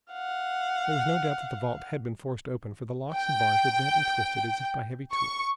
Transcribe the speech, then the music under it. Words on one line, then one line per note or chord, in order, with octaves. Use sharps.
There was no doubt that the vault had been forced open, for the locks and bars were bent and twisted as if by heavy tools.
F5 F#5
G5
C#6